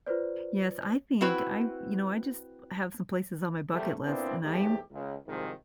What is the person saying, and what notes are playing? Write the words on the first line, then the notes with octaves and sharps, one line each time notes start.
Yes. I think I you know, I just have some places on my bucket list, and I'm
F4 B4 C5 D5
C4 E4 F#4 B4
E2 C3 G3 A3
A#2 B3 C4 D4 E4
B1 E2 G#2 A3 G4
C#2
C2 G#2 C3 D#3 F3